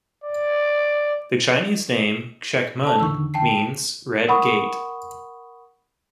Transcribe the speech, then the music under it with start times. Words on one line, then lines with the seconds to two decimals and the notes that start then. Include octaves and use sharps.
The Chinese name "Chek Mun" means Red Gate.
0.24 D5
2.84 A4 A5
3.00 E2 D3 D#3 C#6 E6
3.34 G5 A5 C7
4.28 A#4 F#5 B5 C#6 D#6